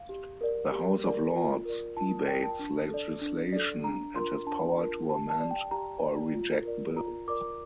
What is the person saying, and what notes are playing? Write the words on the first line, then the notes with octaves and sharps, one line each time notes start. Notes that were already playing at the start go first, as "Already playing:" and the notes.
The House of Lords debates legislation, and has power to amend or reject bills.
Already playing: F5
G4
A#4 D5
G4
A#4 D5
F4
A#4 D5
F4 A5
A#4 D5 G5
A5
D4
A4 D5
D4
A4 D5
D4 A#5
F4 A#4 C6
D4 A5
F4 A#4
G4 A5
A5
D5
G5
G4 A#5
D5
F4
A#4 D5
F4 A#5
A#4 D5 D6